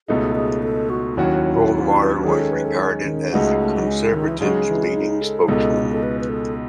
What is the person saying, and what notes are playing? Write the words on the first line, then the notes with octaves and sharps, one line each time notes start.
Goldwater was regarded as the conservatives' leading spokesman.
C#2 B2 A3 D#4 G#4
G#4
A4
F#4
D#2 D#3 F#3 C#4 E4 F#4
F#4
D#3 G#3 C#4 G#4
A4
B4
A4
C#4
D#3
C#2 C#3 G#3 A3 D#4 F#4
A3
F#3
G#3
D#3
E3
C#3 F#3 G#3 D#4
E3
C#4
D#4
A4
C#2 B2 G#3 D#4 A4
A4
B4
B4
A4